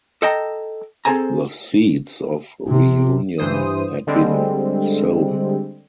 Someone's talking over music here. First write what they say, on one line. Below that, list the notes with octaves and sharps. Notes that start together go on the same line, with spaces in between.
The seeds of reunion had been sown.
A4 D#5 G5 A5 A#5
C4 G#4 A4 C5 G#5 A#5
C3
G2 E3 C5 D#6
D3 G3 G#3 C4